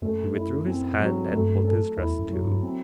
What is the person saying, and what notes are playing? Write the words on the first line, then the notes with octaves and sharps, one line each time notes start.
He withdrew his hand and pulled his dress to.
F#2 A3
E4
C4
F#3
G2 A3
A4
E2 E4
F#2
F#3
G2
C4